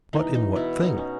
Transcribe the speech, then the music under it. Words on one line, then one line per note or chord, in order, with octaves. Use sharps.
But in what thing?
E3 D#4
D#4
B2 E4
D#4
C#4